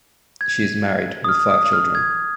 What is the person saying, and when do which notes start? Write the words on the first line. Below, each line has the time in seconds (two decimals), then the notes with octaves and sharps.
She is married with five children.
0.41 G#6
1.24 D#6
1.29 F6
1.51 D#6
1.73 F6
1.95 G#6